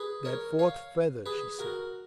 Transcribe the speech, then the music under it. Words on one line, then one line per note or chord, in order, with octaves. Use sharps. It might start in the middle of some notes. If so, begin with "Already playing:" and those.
"That fourth feather," she said.
Already playing: G#4 B4
A#4 C#5
C#5 F5
G#4 B4
F#4 A#4